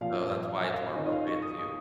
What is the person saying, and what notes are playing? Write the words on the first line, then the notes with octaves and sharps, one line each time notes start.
So, that's why it's more appropriate to
A#2 F3 A#3 F4 F5
F5
F5
G#5
F5
D#3 C#4 F4 D#5
D#5
F5
C#6
D#6
D#6